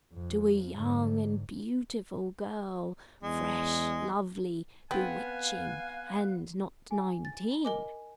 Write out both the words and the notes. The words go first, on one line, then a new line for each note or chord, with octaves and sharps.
To a young and beautiful girl; fresh, lovely, bewitching, and not nineteen.
F2
G#2 D3
E2 G#3
B3 C4 F5 G#5 F#6
D#4 G#4 G#5
A6
E4 B5
A#4 D#5 G#5 D6